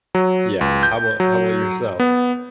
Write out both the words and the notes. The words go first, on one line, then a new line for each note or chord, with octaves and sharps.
Yeah, how 'bout how ‘bout yourself?
F#3
C#2
G6
F#3
B3